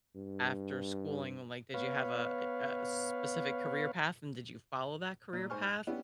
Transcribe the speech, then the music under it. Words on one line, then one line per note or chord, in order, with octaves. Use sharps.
after schooling, um, like, did you have a eh a specific career path, and did you follow that career path
G2
B3 B4 C#5 F5
A#2
G#2 C5 G#5 C#6 F6
F#6
B3 C#4 D4 E4 G4